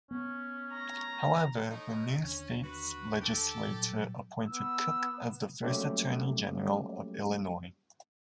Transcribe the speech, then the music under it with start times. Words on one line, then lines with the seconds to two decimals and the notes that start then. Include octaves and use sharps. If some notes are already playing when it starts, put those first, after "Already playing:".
However, the new state's legislature appointed Cook as the first Attorney General of Illinois.
0.11 B3 C#4
0.74 A#5
1.67 A2 D#4
2.22 D#2 D3 C#4
2.62 F#4 B4
3.21 G4 A4
3.67 A#2 F#3 G3
4.48 B3 E6
5.63 F#3 G3 A3 A#3 C#4 G4